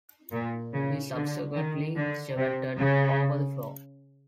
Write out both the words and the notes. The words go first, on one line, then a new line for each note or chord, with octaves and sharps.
He subsequently cemented over the floor.
A#2
C#3
D3
D#3
D3
C3
C#3